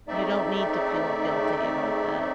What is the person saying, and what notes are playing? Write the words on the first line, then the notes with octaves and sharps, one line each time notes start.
you don't need to feel guilty about that.
C#3 A3 C4 D#4 D5 E5